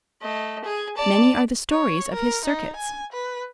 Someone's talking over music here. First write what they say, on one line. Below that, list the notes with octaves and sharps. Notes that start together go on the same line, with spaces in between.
Many are the stories of his circuits.
A3 D#5
G#4 G#5
D5 A5
C#5
A#4
D#4
G#5
B4